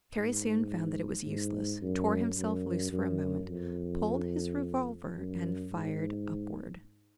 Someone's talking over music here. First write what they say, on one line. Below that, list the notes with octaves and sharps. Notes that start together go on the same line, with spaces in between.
Terry soon found that it was useless, tore himself loose for a moment, pulled his revolver, and fired upward.
G#2
G#2
F#2
F#2
F#2
F2
F#2
G#2